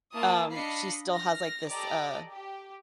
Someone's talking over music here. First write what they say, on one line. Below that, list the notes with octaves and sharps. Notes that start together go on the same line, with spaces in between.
um, she still has, like, this, uh,
A#3 E4 F4 A5 D#6
D4 D#5 F5 B5 C7 C#7
F6 A#6
G4 A4 D5 D#5 A#5 D6
G4